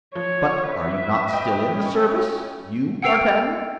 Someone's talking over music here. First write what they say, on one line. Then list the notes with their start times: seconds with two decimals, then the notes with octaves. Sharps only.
"But are you not still in the service--you, D'Artagnan?"
0.15 F3 C#5
0.68 B4 E5
1.33 D#5 G5 B5
1.68 C#4
3.02 F#5 G5 E6 C7 D7 F7